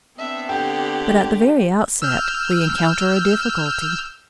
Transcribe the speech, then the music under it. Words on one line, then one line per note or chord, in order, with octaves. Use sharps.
But at the very outset we encounter a difficulty.
B3 C4 D4 E5
D3 G4 F#5 G5
E6 F6 G6